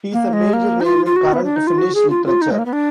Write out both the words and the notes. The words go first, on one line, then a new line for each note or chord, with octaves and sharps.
He is a major name in current Finnish literature.
A#3
G#3
A#3
D#4
F4
F4
F#4
B3
D4
D#4
F4
F#4
G#4
F4
F4
D#4
G#3
A#3
B3
D4